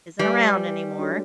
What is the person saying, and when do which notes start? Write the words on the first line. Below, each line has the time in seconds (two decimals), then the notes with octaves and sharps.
isn't around anymore,
0.19 G3 B4 E5 G#5
0.98 D4 F#4 A4 C#5